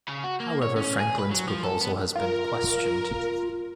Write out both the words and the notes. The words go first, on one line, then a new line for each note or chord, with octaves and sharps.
However Franklin's proposal has been questioned.
C#3
F#4
A#3
C#5
C#4
G#4
B4
F#3
F3
A4
B3
F4 A#4